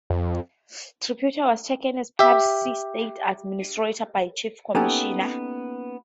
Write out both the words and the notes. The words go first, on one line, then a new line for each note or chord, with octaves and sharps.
Tripura was taken as a Part-C state administered by Chief Commissioner.
F2
G4 E5
A#3 B3 C#4 D#4 G4 A4